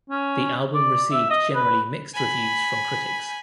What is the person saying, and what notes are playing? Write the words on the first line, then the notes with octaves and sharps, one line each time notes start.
The album received generally mixed reviews from critics.
C#4
D5
E5
D#5
B4
G#5 B5